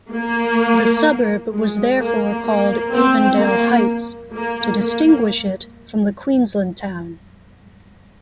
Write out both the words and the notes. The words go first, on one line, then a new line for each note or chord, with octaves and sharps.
The suburb was therefore called Avondale Heights to distinguish it from the Queensland town.
A#3
G#3
A#3
A#3
C4
A#3
A#3
A#3